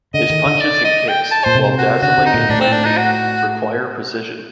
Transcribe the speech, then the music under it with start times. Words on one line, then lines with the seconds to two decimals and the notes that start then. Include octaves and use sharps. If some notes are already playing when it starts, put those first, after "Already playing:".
His punches and kicks, while dazzling and lengthy, require precision.
0.14 D3 D#5
0.30 D#3
0.46 D3
0.60 D5
0.84 D#5
1.08 G5
1.31 A5
1.44 A#2 C5
1.55 C3
1.78 F#4
2.02 D3 F#4
2.18 D3
2.26 D#4
2.34 A#2
2.49 A2 D4
2.60 C4
2.72 D4
2.85 D#4
2.97 F#4